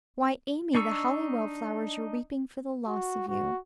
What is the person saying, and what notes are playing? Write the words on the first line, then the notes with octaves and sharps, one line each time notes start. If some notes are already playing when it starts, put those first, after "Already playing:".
'Why, Amy, the Hollywell flowers are weeping for the loss of you!
D4 D#4 C#6 E6
F#4
F#4